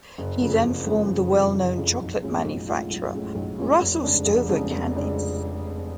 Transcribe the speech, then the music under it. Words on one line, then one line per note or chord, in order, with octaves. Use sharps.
He then formed the well-known chocolate manufacturer Russell Stover Candies.
F#1
F2 C#3 F3
F#1
F2 C#3 F3
F#1
F2 C#3 F3
F#1
F2 C#3 F3
B1
A2 G#3 C#4 F4
B1
A2 G#3 C#4 F4
B1
A2 G#3 C#4 F4
B1
A2 G#3 C#4 F4
F1
F2 C#3 G#3 D4
F1
F2 C#3 G#3 D4
F1
C#3 G#3 D4